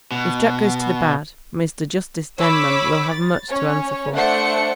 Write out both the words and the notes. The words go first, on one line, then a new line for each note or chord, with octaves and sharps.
If Jack goes to the bad, Mr. Justice Denman will have much to answer for.
B2
C#5 B5 D6 E6
A6
C#4 C#5
A3 D4 C5 F#5 C#7